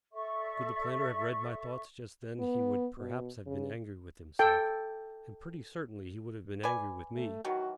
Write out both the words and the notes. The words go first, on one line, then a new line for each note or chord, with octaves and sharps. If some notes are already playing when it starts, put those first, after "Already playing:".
Could the planter have read my thoughts just then he would perhaps have been angry with himself, and pretty certainly he would have been angry with me.
A4 D5 E5 C#6
B3
B2
C#3
A4 G5
B4 D5 G#5
A3
D#3 E3 F#3 F#4